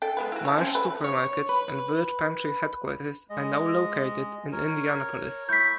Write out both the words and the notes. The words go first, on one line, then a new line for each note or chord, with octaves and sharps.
Marsh Supermarkets and Village Pantry headquarters are now located in Indianapolis.
A4 G5
G#3 B3 B4
E4 F#4
C#5 A5
C4 C#4
A3 A4 B4
C#5
B4
G#3 D#5
A#4 C#5
E4 C#6 G6 B6